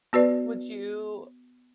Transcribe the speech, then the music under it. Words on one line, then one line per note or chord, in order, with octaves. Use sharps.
Would you
B3 F#4 B4 D5